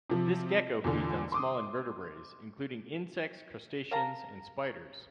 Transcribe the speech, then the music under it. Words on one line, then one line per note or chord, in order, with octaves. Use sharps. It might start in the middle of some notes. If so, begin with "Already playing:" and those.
This gecko feeds on small invertebrates, including insects, crustaceans and spiders.
C3 F3
E2 A#2 D3
C6 D6 D#6
A#4 F5 A5 A#5